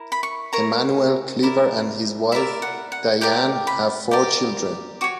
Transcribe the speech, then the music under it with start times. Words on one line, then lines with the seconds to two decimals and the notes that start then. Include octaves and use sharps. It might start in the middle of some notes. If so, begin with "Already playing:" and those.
Emanuel Cleaver and his wife, Dianne, have four children.
Already playing: E4 A#4
0.12 B5
0.23 C#6
0.53 E4 A#4 C#5 A#5
1.43 E4 A#4 D5
2.32 E4 A#4 D5 E5
2.62 F#5
2.92 F#5
3.21 G4 A#4 D5 G5
3.67 B5
4.11 G4 A#4 D5
5.01 F#4 C#5 D6